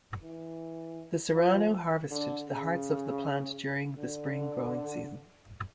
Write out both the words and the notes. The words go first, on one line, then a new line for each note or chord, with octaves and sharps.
The Serrano harvested the hearts of the plant during the spring growing season.
E3
F3
D3
C#3
D3